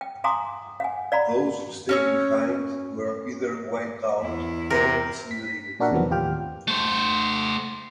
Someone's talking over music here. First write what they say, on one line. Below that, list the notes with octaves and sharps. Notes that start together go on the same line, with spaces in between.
Those who stayed behind were either wiped out or assimilated.
G5
F5 G#5 A#5 C6 D6 D#6
F5 F#5 G#5
D5 F5 A#5 B5
C#4 C#5 E6
E2 E4
C3 A#4
B6
A#2 D4 F#4 A#4 E5 F#5
E2 C3 D#3 F3 F#3 B3
D#2 A2 F4 G4 G5 F6
A3 C5